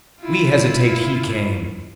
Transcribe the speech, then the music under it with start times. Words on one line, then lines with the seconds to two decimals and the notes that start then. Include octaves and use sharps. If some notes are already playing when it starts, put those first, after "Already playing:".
We hesitated, he came!
0.21 E4 F4